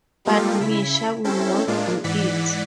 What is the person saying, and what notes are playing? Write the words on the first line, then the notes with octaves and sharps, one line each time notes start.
But Misha will not do it.
G3 G#3 A#3 F4 G4 A4
C#3 E4 B6
C4 C#4 E4 A4
A2 G#3 A#3 D4 F4
G#2 E3 D5 F#5 B6